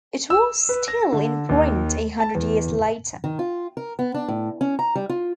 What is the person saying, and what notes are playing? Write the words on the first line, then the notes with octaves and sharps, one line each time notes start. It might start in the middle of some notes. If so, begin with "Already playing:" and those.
It was still in print a hundred years later.
E6
B4
A#6
D3
D#2
A5
E2
D#3
F4
A#4
B3
D4
A2
C#4
A#5
G3
F4